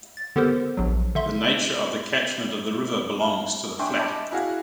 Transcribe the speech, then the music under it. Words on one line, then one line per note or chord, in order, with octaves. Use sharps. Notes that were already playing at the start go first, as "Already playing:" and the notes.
The nature of the catchment of the river belongs to the flat.
A6
D3 B3 G4 A4 A#4 C5
A#1 F#3
D3 E5 C6
F5
D4 E5 G5 G#5 C6 C#6
D#5 E5 G5 A5 B5 D6
E4 F#4 G#4 F5 F#5